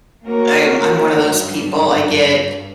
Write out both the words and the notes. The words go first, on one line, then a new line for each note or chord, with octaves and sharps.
I'm I'm one of those people, I get,
A#3 C#4 F#4 A#4
G2